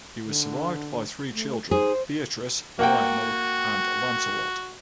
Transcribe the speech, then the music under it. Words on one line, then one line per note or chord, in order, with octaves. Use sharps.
He was survived by three children, Beatrice, Lionel and Lancelot.
D3
A3
D#4 G#4 C5
A#3 F#4 F#5 G5